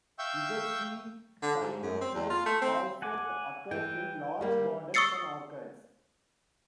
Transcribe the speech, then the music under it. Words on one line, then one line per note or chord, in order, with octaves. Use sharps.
"Z. c. cyanotus" also occurs in large gardens and orchards.
E5 F5 G5 C#6 E6 G6
D3
G#2
F#2
C4
E2
F4
A3
C4
F#5 G#5 D6
E3 G5
G3 A#3
C#6 D#6 E6 A6 C7 C#7